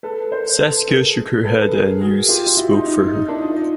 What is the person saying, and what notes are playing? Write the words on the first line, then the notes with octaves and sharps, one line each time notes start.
Saskia shook her head and Hughes spoke for her.
A4 B4
A#4 C5
A4 B4
G#4 A#4
A4 B4
G#4 A#4
F#4 G#4
F4 G4
F4
E4 F#4
D#4 F4
D#4
D#4
D4 E4
D#4 F4
D#4